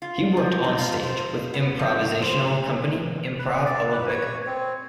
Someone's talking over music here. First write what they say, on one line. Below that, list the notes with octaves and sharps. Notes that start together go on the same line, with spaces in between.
He worked on stage with improvisational company Improv Olympic.
F4
F3
D#4
F4
C5
B3
F3
C5
B4
D5
B4
C#5
C4